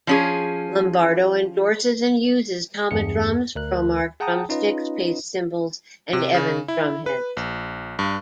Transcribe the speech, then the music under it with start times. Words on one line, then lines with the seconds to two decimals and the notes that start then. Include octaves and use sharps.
Lombardo endorses and uses Tama Drums, Promark Drumsticks, Paiste Cymbals and Evans Drumheads.
0.07 F3 C#4 G#4
2.91 E2 G2 G#4 C#7
3.55 D2 A#4 F#6
4.20 G#4 F#5 G5 A5 A#5 D#6
4.49 C#4 D#4 F4 B4 D#5
6.13 C3
6.34 C#3
6.68 E4
7.06 B4
7.37 A#1
7.99 G2